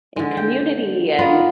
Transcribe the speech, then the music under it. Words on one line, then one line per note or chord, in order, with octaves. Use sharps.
in community, and
D3 G#3
G5
B3 F4 A#4 F#5